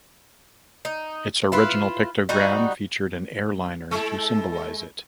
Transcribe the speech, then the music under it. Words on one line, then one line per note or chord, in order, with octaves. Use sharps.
Its original pictogram featured an airliner to symbolize it.
D#4
E4 F4 B4
G3 D#4 F#4
G#3 E4 A4